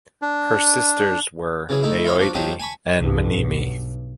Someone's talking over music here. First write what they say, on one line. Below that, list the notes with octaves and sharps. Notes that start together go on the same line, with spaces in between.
Her sisters were Aoide and Mneme.
D4
C#3 E3 F#3 G#4
A3 D#4 E4
E4 F4 C#5 D#5
F3 D4 F#4
F3 F#3 D#4 G4 A5 D#6
G#5 A5 B5 C#6
C2 G2
B1